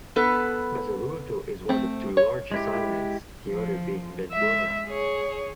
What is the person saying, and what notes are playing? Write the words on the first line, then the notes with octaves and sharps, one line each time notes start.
Bazaruto is one of two largest islands, the other being Benguerra.
B3 A4 B4
A3 C4
C#5
G#3 E4 G4
F3
G#3 E5
G#4 C#5